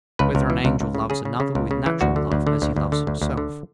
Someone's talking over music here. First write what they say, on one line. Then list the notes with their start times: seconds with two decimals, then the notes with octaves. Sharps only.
Whether an Angel Loves Another with Natural Love As He Loves Himself?
0.19 C#2 B4
0.35 C#2
0.50 E3
0.65 C#2
0.80 C#2
0.95 C#3
1.10 C#3 G#4
1.25 C#3
1.40 C#3
1.55 C#2
1.71 C#3
1.86 E3
2.01 D2 F#4
2.16 D3
2.32 D2
2.47 D3
2.62 D2
2.76 D2
2.92 D3
3.07 D2
3.22 D2
3.37 D3